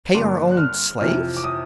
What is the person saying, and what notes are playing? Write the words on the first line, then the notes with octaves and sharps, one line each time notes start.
"Pay our own slaves?"
G2 D3 G3 A#3 D4 C6
F#6
F6
F2 C3 E3 F6
D6
D#6